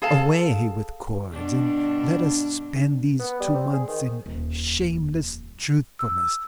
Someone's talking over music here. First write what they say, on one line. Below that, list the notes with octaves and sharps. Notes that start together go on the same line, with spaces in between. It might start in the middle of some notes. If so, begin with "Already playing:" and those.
Away with cords and let us spend these two months in shameless truthfulness!
G#4 A4 F5 A5
G2 B2 D4
B3
G3
C4
G#4
D#3
D#1 F2
E6